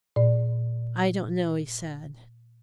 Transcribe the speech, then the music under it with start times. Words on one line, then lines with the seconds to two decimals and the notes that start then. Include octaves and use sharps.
"I don't know," he said.
0.16 A#2 D5